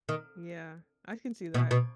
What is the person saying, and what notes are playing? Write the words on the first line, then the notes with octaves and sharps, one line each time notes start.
Yeah, I can see that.
D#3
B2
B2